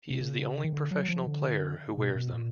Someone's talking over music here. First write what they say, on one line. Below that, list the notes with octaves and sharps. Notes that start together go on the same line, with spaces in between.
He is the only professional player who wears them.
C3
C#3
D#3
D3
F#3
F3
D3
B2
B2
A#2